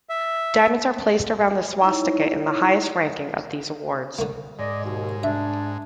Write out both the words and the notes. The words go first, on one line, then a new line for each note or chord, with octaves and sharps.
Diamonds are placed around the swastika in the highest ranking of these awards.
E5
D#4 E4 C#5
D3 A#3
G#2 D5 D#5
D#2 B2
D4 E5